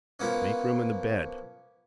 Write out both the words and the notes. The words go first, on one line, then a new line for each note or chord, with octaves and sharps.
Make room in the bed.
F3 A#3 B3 C#4